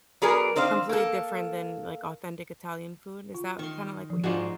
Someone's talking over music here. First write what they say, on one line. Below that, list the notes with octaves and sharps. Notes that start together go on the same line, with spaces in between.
completely different than, like, authentic Italian food, is that, kinda, like, what your
F#3 B3 G#4 A#4 D5
D#3 C4 D4 C5 F5
A#3 A4
F4
D#3 C6 C#6
F3
G#2 G#3 D4 D#4 F4 F#4